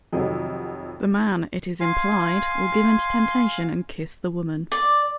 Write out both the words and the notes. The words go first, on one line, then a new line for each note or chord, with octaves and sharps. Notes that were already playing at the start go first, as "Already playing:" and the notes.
The man, it is implied, will give in to temptation and kiss the woman.
F2 C3 D#3 F#3
F5 G#5 C6
D5